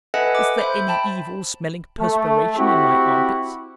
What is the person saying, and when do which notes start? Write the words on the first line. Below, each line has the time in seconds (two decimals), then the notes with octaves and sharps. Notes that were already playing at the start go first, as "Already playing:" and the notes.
Is there any evil smelling perspiration in my armpits?
0.14 A4 B4 D#5 E5 F#5 G#5
0.35 D6
0.57 C5 E5 B5 G6
0.88 G5 A5 B5
1.99 A3
2.57 C4 E4 F#4 G4